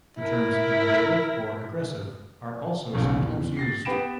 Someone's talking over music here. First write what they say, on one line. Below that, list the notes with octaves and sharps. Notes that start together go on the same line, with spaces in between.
The terms "innovative" or "aggressive" are also sometimes used.
E4 A#4
D#1 B1 C#3
E2
A6 A#6 C7
B3 G4 B5 D7 E7